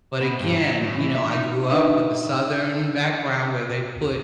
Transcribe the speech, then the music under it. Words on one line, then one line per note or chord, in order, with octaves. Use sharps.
but again, you know, I grew up with the southern background where they put
B2
G2
F#3
A2
E3
E5
D#4
D4 D#4 B4 E5